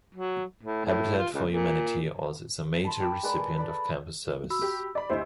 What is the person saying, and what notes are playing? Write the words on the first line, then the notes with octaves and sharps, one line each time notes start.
Habitat for Humanity also is a major recipient of campus service.
F#3
A2
A2
F4
C#2
A#2
A5 B5 C6
G5 D6
G#3 A#4 B4 D5
A4 G#5
A4 D5 B5
F#4 B5 E6
G4
D5 B5
D2 E4 G4 C5 D#5